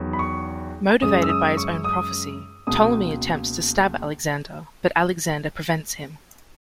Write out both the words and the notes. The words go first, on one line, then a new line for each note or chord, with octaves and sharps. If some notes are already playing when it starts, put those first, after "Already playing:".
Motivated by his own prophecy, Ptolemy attempts to stab Alexander, but Alexander prevents him.
Already playing: E2 D#3 F#3 B3
B5
C#6
F#2 C#3 G#3 C#4 D#6
E6
D#6
C#6
D#6
C#2 B2 A#3 D#6